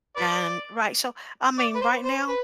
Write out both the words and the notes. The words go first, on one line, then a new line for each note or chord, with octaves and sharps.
And right, so, I mean, right now,
B4 D5
D5
B4
C5
C5
B4